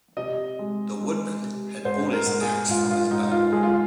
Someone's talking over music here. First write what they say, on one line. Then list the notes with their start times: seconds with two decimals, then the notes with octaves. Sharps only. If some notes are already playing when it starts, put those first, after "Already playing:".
The woodman had pulled his axe from his belt.
0.17 C3 D#5
0.59 G#3
1.01 G#3
1.43 C3
1.85 G#2 C5
2.13 A#4
2.26 G#2
2.41 G#4
2.68 G#2 F4
2.90 F4
3.11 G#2 D#4
3.31 F4
3.52 G#3 G#4
3.63 F4